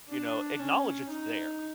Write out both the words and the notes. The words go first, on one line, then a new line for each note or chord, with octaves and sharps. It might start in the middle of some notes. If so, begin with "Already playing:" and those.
You know, acknowledge it's there.
D4
C#4
D#4